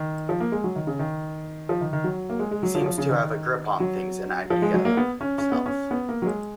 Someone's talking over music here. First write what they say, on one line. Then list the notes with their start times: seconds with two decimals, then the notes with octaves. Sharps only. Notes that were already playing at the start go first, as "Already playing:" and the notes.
He seems to have a grip on things, an idea of himself.
Already playing: D#3
0.29 F3
0.40 A#3
0.52 G#3
0.64 F#3
0.76 D#3
0.87 C#3
0.99 D#3
1.69 F3
1.81 D#3
1.93 D#3
2.04 F#3
2.30 A#3
2.39 G#3
2.51 G#3
2.63 F#3
2.75 F3
2.81 F#3
2.86 F3
2.98 C#3
3.10 D#3
3.80 F#3
4.50 F3
4.62 G#3
4.74 F#3
4.85 A#3
4.97 B3
5.21 C#4
5.38 C#4
5.52 B3
5.66 C#4
5.91 B3
6.09 A#3
6.22 F#3
6.26 G#3